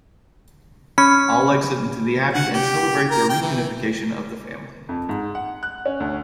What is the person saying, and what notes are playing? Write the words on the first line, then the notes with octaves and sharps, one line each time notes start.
All exit into the abbey to celebrate the reunification of the family.
C#4 B5
F#5
G4
A#4
G5
E3
F2
G#2
F#5
F#6
C#4
D2